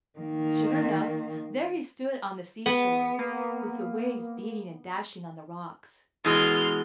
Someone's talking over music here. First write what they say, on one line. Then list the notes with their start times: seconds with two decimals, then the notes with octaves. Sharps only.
Sure enough, there he stood on the sea-shore, with the waves beating and dashing on the rocks.
0.19 D#3 A#3
2.66 B3
3.18 A#3
6.25 B2 E3 G#3 C6 F6